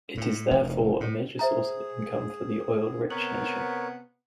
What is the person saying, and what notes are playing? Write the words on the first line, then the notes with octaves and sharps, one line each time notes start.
It is therefore a major source of income for the oil-rich nation.
A2
F1
A2
G#4 C5 E5 A#5
C3 B3 A#4 C#5 F#7